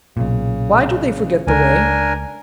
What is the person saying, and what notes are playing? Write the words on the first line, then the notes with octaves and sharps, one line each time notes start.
"Why do they forget the way?"
B1 A#2 C#3
C#2 D4 A#4 G#5